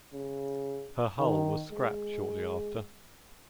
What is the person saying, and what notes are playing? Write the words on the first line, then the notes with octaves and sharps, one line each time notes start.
Her hull was scrapped shortly after.
C#3
D#3
G#3